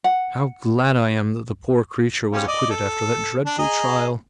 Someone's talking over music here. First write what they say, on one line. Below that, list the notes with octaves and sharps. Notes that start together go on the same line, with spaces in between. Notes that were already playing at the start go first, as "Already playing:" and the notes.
How glad I am that the poor creature was acquitted after that dreadful trial.
F#5
G3 C#4 F4
D5 D#5
A4
D4
G#4 D#5 A#5